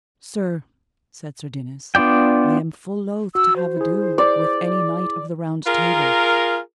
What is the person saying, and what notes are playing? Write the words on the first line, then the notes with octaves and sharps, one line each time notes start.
Sir, said Sir Dinas, I am full loath to have ado with any knight of the Round Table.
B3 D4 F4 D5 G5
F#4 E6
C5
E4 G#4
D5
F4 G#4 A#4